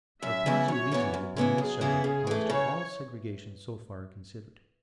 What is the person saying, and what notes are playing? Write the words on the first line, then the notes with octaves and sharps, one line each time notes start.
Our quasi-reasoning upon this subject applies to all segregations so far considered.
F#2 E5
C#3 E3 B3 E4
F#2 C#5
C#3 E3 B3 E4
F#2
C#3 E3 B3 E4
F#2 G#4
C#3 E3 B3 E4
C#3 G#4
E3 A3
C#3 C#5